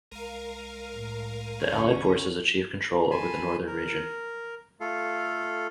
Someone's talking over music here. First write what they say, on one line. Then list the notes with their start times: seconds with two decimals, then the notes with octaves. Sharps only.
The Allied Forces achieve control over the northern region.
0.12 C2 G#3 A#4 F5 A#5
0.94 A2
1.61 E2 G2 D3 C#4 C#5
3.11 G#5 A5 B5 C6
3.66 A#4
4.81 A3 F4 A4 F5